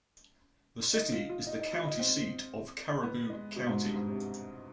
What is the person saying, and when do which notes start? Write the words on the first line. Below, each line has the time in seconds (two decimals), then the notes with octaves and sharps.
The city is the county seat of Caribou County.
0.94 D#4
1.12 F4
1.29 F4
1.47 D#4
1.60 D#4
1.73 F4
1.85 D#4
1.99 C4
3.03 B3
3.30 G#3
3.56 B2
3.69 G#2
3.83 G2
3.95 G#2
4.08 C3